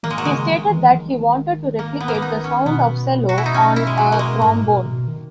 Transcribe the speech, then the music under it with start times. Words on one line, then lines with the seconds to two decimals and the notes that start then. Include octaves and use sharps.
He stated that he wanted to replicate the sound of cello on a trombone.
0.03 D#3 A#3
0.10 G#3
0.18 F#3
0.25 C#3 G#3
0.48 D#3
0.69 E3
0.91 D#3
1.79 A#3
2.00 B3
2.08 A#3
2.15 B3
2.22 D#4
2.44 C#4
2.66 B2 B3
3.29 F#4
3.38 E4
3.46 D#4
3.54 C#4
3.76 E4
3.87 G#3
3.98 F#3
4.12 A#3
4.19 G#3
4.42 G#2 A#3
4.64 B2
4.85 B2
5.08 D#3